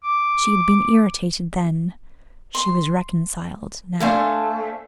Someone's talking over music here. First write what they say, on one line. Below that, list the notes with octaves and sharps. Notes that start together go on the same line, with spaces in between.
She had been irritated then, she was reconciled now.
D6
C6
A3 D4 C5 F5 G#5